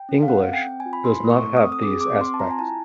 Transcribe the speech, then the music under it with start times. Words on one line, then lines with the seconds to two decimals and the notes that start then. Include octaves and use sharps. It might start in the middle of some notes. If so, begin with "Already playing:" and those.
English does not have these aspects.
Already playing: G5
0.09 C#4
0.23 F5
0.28 A4 F#5
0.47 C4
0.53 G5
0.67 C4
0.80 G#5
0.86 F4
0.93 B5
1.05 E4 C6
1.24 A3
1.30 C#6
1.43 A4
1.57 D#6
1.63 C4
1.72 D#6
1.81 G#4 D6
2.01 C4 D6
2.21 C4 C6
2.34 A5
2.40 F4 A#5
2.51 G#5
2.59 E4 A5